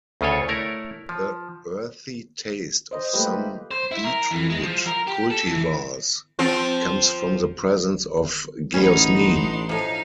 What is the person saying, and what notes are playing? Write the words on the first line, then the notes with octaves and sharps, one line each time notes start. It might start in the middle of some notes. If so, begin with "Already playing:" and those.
The "earthy" taste of some beetroot cultivars comes from the presence of geosmin.
D2 C#3 F4 A4 C#5
A3 E4 A#4 C#5 D5
F3
C5 D#5
G3 A3 A#3 F4 G4 B4
C5
E4
A#4
E3
G#3
F3
A#4
G4
A4
E3
F3 C4 F4
A1 B3 C#4 D#4
D4 C6
A2 F3 D#4 F5